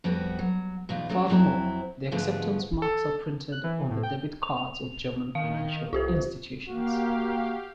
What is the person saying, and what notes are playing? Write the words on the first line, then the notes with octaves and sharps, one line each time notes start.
Furthermore, the acceptance marks are printed on the debit cards of German financial institutions.
F2 G3 B3 F#4
F#3
E2 B2 D#4 F4
F#3 A3 C#4 D4
F2 F#3 C4 E4
G#2 D3 F3 G#3 A3 B3
A4
F#6
E3
A2
G5
F7
D#3 F5
C2 F4 G4 C5
A#3 F#4 G4 F5